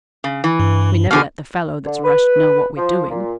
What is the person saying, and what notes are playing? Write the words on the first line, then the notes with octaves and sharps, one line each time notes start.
We never let the fellow that's rushed know what we're doing.
C#3
E3
G2
B2 D3 G#4 F6
D3
B4
F3
A#2